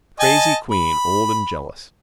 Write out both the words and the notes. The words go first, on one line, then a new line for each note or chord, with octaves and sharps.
A crazy queen, old and jealous.
D#5 G#5 A5
B5